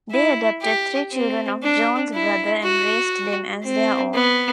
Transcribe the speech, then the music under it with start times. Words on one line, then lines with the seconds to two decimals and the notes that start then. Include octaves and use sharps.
They adopted three children of John's brother and raised them as their own.
0.11 E4
0.62 G4
1.12 C4
1.63 D4
2.13 E4
2.63 F#4
3.64 C4
4.14 B3